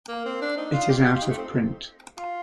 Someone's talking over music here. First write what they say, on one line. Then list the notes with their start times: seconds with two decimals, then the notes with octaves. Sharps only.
It is out of print.
0.08 A#3
0.25 C4
0.42 D4
0.58 D#4
0.73 F4
0.90 G4
0.97 F4
1.06 G4
1.14 F4
1.22 D#4
1.29 A3
1.38 C4
2.18 F4